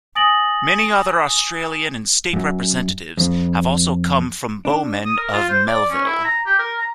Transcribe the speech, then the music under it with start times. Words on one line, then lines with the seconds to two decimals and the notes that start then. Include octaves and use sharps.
Many other Australian and State representatives have also come from Bowmen of Melville.
0.15 G#5 D#6 A6 A#6 D7 F#7
2.33 F#2
3.17 F2
4.65 D4
5.05 D#6
5.17 A#4
5.33 F4
5.49 C5
5.67 D5
5.91 C#4
6.06 E4
6.25 A#5
6.46 G4
6.59 A#4
6.78 A#5